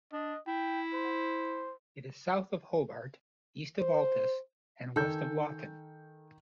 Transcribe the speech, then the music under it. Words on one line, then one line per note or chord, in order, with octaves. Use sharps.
It is south of Hobart, east of Altus and west of Lawton.
D4 D#5
E4 G5
C5
C5
D#3 A4 G#5 G6